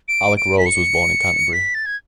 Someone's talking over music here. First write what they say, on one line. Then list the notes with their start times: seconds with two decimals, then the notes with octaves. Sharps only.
Alec Rose was born in Canterbury.
0.08 D7
0.37 D7
0.58 B6
0.66 C#7
1.53 B6
1.74 A6
1.86 G#6